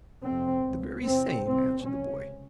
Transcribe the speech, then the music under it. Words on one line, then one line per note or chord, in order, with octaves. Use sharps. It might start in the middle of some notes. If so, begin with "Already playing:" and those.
"The very same," answered the boy.
F2 C3 C4
C#2 B2
E2 C3 C4
C2 C3 C4
C#2 C3 C#4